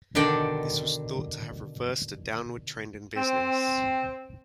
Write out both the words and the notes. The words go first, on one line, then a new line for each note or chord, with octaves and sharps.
This was thought to have reversed a downward trend in business.
B2 D3 D#3 D4 D5 G5
C4